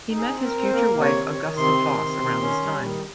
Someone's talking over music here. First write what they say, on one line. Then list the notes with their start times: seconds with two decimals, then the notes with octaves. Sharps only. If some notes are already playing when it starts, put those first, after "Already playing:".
He met his future wife Augusta Foss around this time.
0.09 D#4
0.16 G#4
0.30 C4
0.44 A#4
0.51 C4
0.64 C5
0.72 A#3 A#4
0.94 C3
1.01 C#5
1.15 D#3
1.28 C#5
1.36 D#3
1.57 C3 C6
1.77 D#3
1.99 C3
2.20 D#3
2.40 C#4
2.62 G3
2.82 D#3